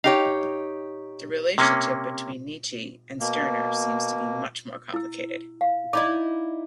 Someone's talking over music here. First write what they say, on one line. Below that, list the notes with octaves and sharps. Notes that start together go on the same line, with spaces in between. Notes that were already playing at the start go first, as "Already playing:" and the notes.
The relationship between Nietzsche and Stirner seems to be much more complicated.
D#4 G4 C#5 F5
C3 A#3 C#4
B2 A#3
E4 E6
F5
D#4 E4 D5 D#5 D6